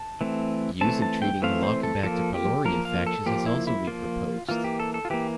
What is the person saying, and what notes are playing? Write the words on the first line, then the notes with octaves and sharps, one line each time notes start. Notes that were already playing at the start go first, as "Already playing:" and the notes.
Use in treating "Helicobacter pylori" infections has also been proposed.
Already playing: A5
E3 A3 C4
E3 A3 C4 A5
A5
G5
E3 A3 C4 F5
C5
A4
F3 A#3 A4
G4
F3 A#3 A#4
F5
A4
F3 A#3 G4
E4
E4
F3 A#3 F4
E3 A#3 F4
G4
A4
A4
F4
E3 A#3 G4